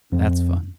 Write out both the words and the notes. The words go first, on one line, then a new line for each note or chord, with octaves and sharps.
That's fun.
F2